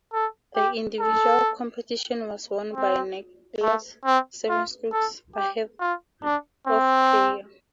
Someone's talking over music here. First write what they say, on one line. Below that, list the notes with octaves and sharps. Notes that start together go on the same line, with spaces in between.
The individual competition was won by Nicklaus seven strokes ahead of Player.
A4
G4
A4
C4
A3
C4
F4
A4
G4
F4
D4
C4